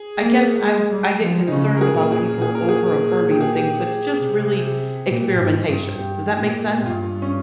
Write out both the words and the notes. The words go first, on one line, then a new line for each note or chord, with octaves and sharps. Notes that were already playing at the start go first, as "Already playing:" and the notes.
I guess I'm I get concerned about people over-affirming things that's just really experimentation. Does that make sense?
Already playing: G#4
A#3
G#3
G3
F3
D#4
C#3 C#4
A#4
G#4
A#2
G#4
A#2 G#4
A#4
G#4
G4
G#4
G4
C3
A#2
G#2
G2
G2 G4
A#2
G4
G2 F4
C#4